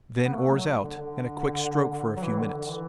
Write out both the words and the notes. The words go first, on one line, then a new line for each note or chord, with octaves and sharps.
Then oars out, and a quick stroke for a few minutes.
B3
A3
F#3
D3
D3
F#3
E3
D3
D3
E3